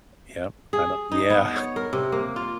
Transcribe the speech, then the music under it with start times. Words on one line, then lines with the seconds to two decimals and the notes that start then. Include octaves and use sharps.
Yep, I don't yeah.
0.73 G#4
1.12 D#4
1.30 B3
1.56 C#5
1.76 A#4
1.93 C3
2.12 A#3
2.36 F4